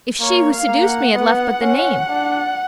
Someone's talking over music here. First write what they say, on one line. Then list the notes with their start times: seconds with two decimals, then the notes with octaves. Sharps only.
If she who seduced me had left but the name.
0.20 A#3 C#5
0.52 F5
0.68 A#3
0.83 F#5
1.14 B3
1.62 C#4
2.09 D4